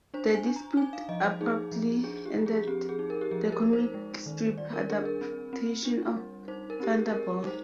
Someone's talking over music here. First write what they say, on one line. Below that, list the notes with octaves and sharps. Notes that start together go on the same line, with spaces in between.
The dispute abruptly ended the comic strip adaptation of "Thunderball".
D4 C5
G#5
D4
A#5
D#4 G#5
F5
F3 D#5
C5
D#4 G#4
F3
D4 G#4
G4
F3
G#4
C4 G4
G#4
D#4
A#4
G4
F3 G#4
A#4
D#4
C5
G#3
D#3
G3 D5
A#4
D4 G#4
A#4
C4
C4
D4
G3
D#4 C5
A#4
C4 G4
G#4
G#3 A#4
D#4 C5